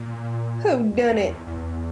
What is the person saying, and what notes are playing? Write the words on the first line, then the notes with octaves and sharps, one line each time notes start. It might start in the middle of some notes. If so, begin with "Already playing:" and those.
Who Done It?
Already playing: A#2
E2
F2
E2
E2